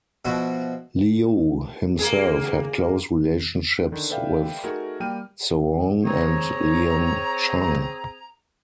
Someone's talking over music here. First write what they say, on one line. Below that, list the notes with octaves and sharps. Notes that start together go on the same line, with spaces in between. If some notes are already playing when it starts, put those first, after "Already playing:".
Liu himself had close relationships with Soong and Lien Chan.
B2 F3 E4 F#4
A#3 G#4
D3 D#3
A4 B4 D5 E5 F5 G5
A3 D#4 F#4 G#4 A#4
G3 A#3 G5 F6 D#7
C4 G#4 C#5 A#5